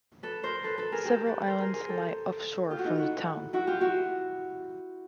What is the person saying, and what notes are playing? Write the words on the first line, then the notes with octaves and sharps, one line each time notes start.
Several islands lie offshore from the town.
A4 B4
A#4 C5
A4 B4
A4 B4
G#4 A#4
G4 A4
A4 B4
A#4 C5
G#4 A#4
G#4 A#4
G4 A4
F4 G4
F#4
D#4 F4
E4 F#4
E4 F#4
F4 G4
E4 F#4